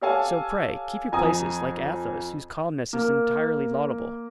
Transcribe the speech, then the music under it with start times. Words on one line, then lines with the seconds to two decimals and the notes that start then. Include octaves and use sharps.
So pray keep your places, like Athos, whose calmness is entirely laudable.
0.01 G4 A4 C#5 F5 G#5 A5
1.12 F2 G#5 A#5 D#6
2.93 A#3